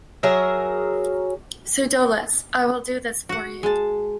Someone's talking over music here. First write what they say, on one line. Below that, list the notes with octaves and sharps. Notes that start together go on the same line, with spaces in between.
Pseudolus: I will do this for you.
F#3 G#4 A#4 E5
F#4 F#5
G#3 A5